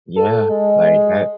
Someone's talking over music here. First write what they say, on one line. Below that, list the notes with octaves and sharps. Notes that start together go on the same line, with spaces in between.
Yeah. Like, I
A4
G#3